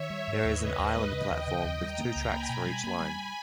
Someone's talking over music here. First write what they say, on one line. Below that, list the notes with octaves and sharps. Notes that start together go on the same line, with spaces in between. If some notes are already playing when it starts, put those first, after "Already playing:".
There is an island platform with two tracks for each line.
Already playing: D#3 C#5 E5
G3
G#2
D#2 B4 D#5
C#3
D#2
G#3
C#3 D#5 G5
D#2
C#3
D#2
G3 G5 A#5
A#3
C#2 G#5 B5
A#3
B2 G#5 B5
G3
A#3
G3